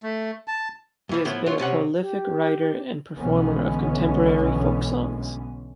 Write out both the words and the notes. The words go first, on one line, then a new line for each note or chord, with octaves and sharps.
He has been a prolific writer and performer of contemporary folk songs.
A3
A5
F2 E3 F3
A2 F3 B3 E4
F#3 F4
C2 C3 C#4 F#5
G4
B1 D3 E3 G#3 B3 C#4